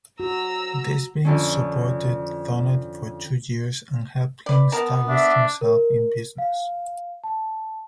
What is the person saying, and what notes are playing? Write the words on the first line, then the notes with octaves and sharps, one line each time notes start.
Desvignes supported Thonet for two years and helped him establish himself in business.
F#4 A#5 E6
F2 D3 C#4
B4 D5
B3 A#4 A5
D4 E5
A#4
F5
A5